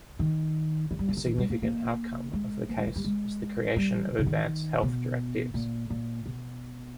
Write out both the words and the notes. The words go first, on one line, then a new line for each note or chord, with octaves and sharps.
A significant outcome of the case was the creation of advance health directives.
D#3
E3
G3
E3
D#3
E3
G3
A#3
A#3
G#3
A#3
G#3
E3
G3
G#3
G3
D#3
C#3
D#3
B2
A#2
A#2
B2